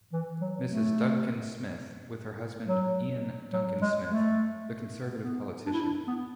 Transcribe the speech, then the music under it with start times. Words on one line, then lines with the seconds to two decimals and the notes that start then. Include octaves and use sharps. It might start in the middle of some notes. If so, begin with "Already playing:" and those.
Mrs Duncan Smith, with her husband Iain Duncan Smith, the Conservative politician.
0.12 E3
0.41 F#3
0.69 A3
2.68 F#3
3.53 F#3
3.81 G#3
4.09 A3
5.22 B3
5.66 D4
5.73 E4
5.82 D4
6.07 B3